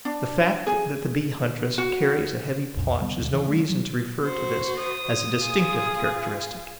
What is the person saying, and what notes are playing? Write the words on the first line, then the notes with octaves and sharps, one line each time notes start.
The fact that the Bee-huntress carries a heavy paunch is no reason to refer to this as a distinctive characteristic.
D4
G#4
F#4
C2 F2 A#2
D3 G3 A3 B3
D2 A#2
D3 E3
G3 A3
F#3
F#4 C5
D#6
F4 G#4